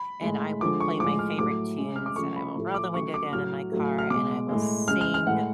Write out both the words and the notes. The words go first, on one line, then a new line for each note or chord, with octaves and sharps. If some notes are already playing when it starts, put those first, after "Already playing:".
and I will play my favorite tunes, and I will roll the window down in my car, and I will sing
Already playing: B5
A2 G#3
D3 F3 G#3 D6
C#6
A2 F3 G#3 D6
F6
A2 F#3 A3 D6
C#3 G#3
F6
D6
C#3 F3 A3 C#6
B5
A2 F3 A3
D6
C#3 F#3 A3 C#6
D6
A2 F#3 A3 F6
A2 F#3 A3
F6
B2 G#3 D6
A2 G#3
C#3 G#3 F6
F6
F6
A2 G#3 F#5